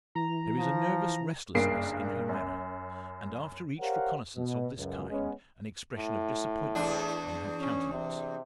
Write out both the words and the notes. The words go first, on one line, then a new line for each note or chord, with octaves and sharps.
There is a nervous restlessness in her manner, and after each reconnaissance of this kind, an expression of disappointment on her countenance.
E3 A#5
F3
F#1 G2 A#3 C7 D7
F#2
G4 A#4 C5 C#5 F5 F#5
B2
C#2 F#2
G#3 B3 C#4
A2
E2 D4
C#4
C3